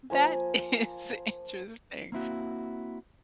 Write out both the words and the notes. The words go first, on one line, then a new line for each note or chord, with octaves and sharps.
That is interesting.
F3 A#3 G#5
A#3 C4 E4 F#4